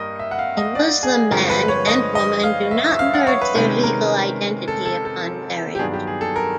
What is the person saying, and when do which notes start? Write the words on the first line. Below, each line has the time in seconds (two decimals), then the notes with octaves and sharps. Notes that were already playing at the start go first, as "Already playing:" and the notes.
A Muslim man and woman do not merge their legal identity upon marriage.
Already playing: G2 G3 A#3 A#4 D#5
0.19 E5
0.31 F#5
0.39 F5
0.57 D#5
0.75 D5
1.03 G#4
1.31 G2 D3 F3 G#3 C4 A#4
1.50 B4
1.68 C#5
1.88 D#5
2.15 D#5
2.43 F5
2.71 E5
2.91 E5
2.99 F5
3.14 F#5
3.27 C#5
3.41 B4
3.55 C3 D#3 G#3 C#4 B4
3.83 A#4
4.68 A4
4.86 A4
5.05 A4
5.75 G4
5.79 G2 D#3 F#3 B3 D4 G#4
5.93 G4
6.07 G#4
6.21 A4
6.36 A#4